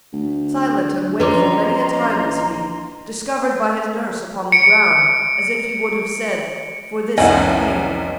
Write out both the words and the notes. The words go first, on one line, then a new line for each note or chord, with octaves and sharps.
Silent and wakeful many a time was he Discovered by his nurse upon the ground, As if he would have said, 'For this I came.'
D2
F3 C#4 B4 D#5 A#5 C6 D6
A#1
C#7 D7
F1 C2 B3 C#4 C#5 D#5 F#5 G#5